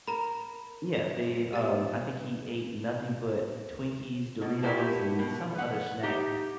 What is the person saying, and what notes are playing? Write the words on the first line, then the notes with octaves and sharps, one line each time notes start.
Yeah, they, um, I think he ate nothing but Twinkies, Doritos, and some other snack
A#4 A#5 B5
B3 G4 A6
B2
A3 A#3 E4 F#4 G4 B4
B2
B4 F#5
D#4 G4